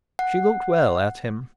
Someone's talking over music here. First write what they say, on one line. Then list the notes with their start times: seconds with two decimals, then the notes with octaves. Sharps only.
She looked well at him.
0.19 F#5